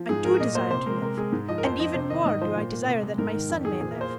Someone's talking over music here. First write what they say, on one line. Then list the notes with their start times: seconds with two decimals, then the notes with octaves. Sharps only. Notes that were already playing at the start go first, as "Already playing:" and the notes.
I do desire to live; and even more do I desire that my son may live.
Already playing: F3
0.09 G#2 G#4
0.24 F3 A#4
0.40 A#2 D#5
0.55 A#3 C5
0.71 C3 C5
0.86 G#3 A#4
1.02 C3 A#4
1.17 G#3 G#4
1.32 G#2
1.48 F3 D#5
1.58 A#4
1.64 F2 C5
1.79 F3 D#5
1.94 C3 C5
2.10 D#3 D#5
2.26 G#2 D#5
2.42 F3 C5
2.56 A#2
2.72 A#3
2.88 C3
3.03 G#3
3.18 G#2 A#4
3.34 D#3
3.49 F2
3.65 D#3 G#4
3.81 A#2 G#4
3.91 A#4
3.95 A#3
4.01 C5